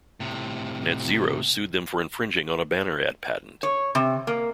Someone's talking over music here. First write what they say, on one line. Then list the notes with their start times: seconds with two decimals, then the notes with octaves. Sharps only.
NetZero sued them for infringing on a banner ad patent.
0.20 A2 C3
3.63 C#5
3.95 C3
4.27 A#3